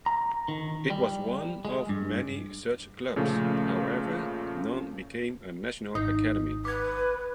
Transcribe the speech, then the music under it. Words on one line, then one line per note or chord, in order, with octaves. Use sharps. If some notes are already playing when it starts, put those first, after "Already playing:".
It was one of many such clubs; however, none became a national academy.
A#5
D#3
G3
G#3
G2
A#2 C#3 F3 A3
G#1 D#4 D#6
B4 D6 G#6